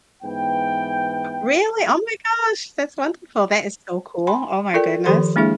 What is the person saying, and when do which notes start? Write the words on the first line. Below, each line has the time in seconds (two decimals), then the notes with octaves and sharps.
Really? Oh my gosh, that's wonderful. That is so cool. Oh my goodness,
0.23 G#2 E3 B3 G5
4.27 G#5 B5 C6
4.74 F4 A4 A#4 D5 G5
5.06 D#3 F3 G4 A4 C5 C6
5.36 G#3 A#3 D4 E4 G#4 E5